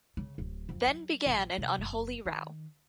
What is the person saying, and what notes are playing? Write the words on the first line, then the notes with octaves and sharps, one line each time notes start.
Then began an unholy row.
C#3
D1
F2
F#3
A#1
C3
F#1
D#3